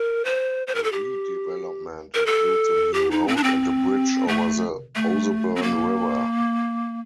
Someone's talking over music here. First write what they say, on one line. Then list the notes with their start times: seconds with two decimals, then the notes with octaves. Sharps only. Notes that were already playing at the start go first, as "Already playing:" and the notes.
The redevelopment includes a new road and a bridge over the Ouseburn river.
Already playing: A#4
0.25 C5
0.67 C5
0.75 A#4
0.84 A4
0.92 G4
2.14 A#4
2.26 A4
2.94 G4
3.11 D#4
3.28 C4
3.36 D4
3.43 C4
4.28 A3
4.95 A3
5.56 C4
5.62 A#3